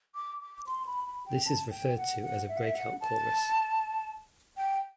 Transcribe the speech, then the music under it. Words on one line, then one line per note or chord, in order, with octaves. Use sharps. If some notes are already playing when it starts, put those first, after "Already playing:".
This is referred to as a breakout chorus.
D6
D6
C6
B5
B5
G5
A5
G5
F#5
F#5
E5
F#5
E5
F#5
A5
G5